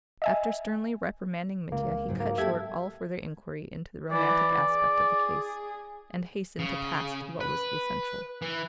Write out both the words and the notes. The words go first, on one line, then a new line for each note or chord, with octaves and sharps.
After sternly reprimanding Mitya, he cut short all further inquiry into the romantic aspect of the case, and hastened to pass to what was essential.
D#5 E5 G#5
C#2 A#3
G#2 F#3
A#3
G4 A4 E5 G#6
E3 D5
G#4
C#3
B4
E3